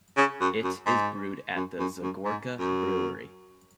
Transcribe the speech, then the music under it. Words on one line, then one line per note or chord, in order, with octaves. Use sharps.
It is brewed at the Zagorka Brewery.
C#3
F#2
F#2
G#2
F#2
F#2
F#2
G#2
F#2